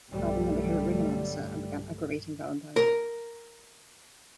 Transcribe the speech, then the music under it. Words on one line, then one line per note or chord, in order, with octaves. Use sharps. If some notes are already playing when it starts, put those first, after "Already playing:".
Garvin then became a ring announcer, and began aggravating Valentine.
B1 G2 D3 G3 A3
A#4 A#5